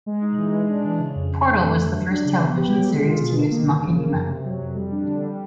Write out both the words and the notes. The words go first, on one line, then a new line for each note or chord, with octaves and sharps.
"Portal" was the first television series to use machinima.
G#3
D#4
E3
G#3
D4
E3
C#3
F2
F2
D3
A3
G2
F#3
D4
C#3
B3
G4
F#3
G#3
F4
B2
D#3
A#3
G2
C#3
A#3
F#2
C3
F#3
F2
G3
D4
D3
G3